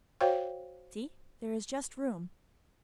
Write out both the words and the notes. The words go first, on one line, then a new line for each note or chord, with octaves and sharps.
"See! there is just room."
F#4 C5 C#5 F5 G5